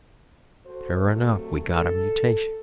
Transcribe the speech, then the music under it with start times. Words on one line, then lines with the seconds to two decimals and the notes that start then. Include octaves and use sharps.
Sure enough, we got a mutation.
0.65 F#4 A4 C5
1.01 C3 F#3 A3 A#3
1.65 A4